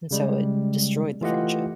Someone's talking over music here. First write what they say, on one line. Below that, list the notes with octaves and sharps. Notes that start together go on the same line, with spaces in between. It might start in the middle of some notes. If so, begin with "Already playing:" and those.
and so it destroyed the friendship.
C#3 G3 G#3
E3 A3 F4 G4 D#5 F#5